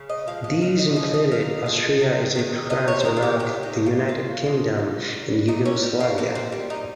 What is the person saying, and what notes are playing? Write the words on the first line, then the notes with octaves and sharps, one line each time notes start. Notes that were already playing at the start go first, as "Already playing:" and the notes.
These included Austria, Egypt, France, Iraq, the United Kingdom and Yugoslavia.
Already playing: C#3
D#5
F3 G#3 F5
D#5
A#2 F5
D#5
F3 G#3 D#5
D#5
A#2 F5
F3 G#3
C3
D#3 G#3
C3 D#5
C#5
C5
D#3 G#3 A#4
F4
G4
C#3 G4
D#4
F3 G#3
F4
C#3 F4
F3 G#3
A#2
G3
A#2 D#4
C#4
G3
A#3
A#2 A#3
C4
G3
D#4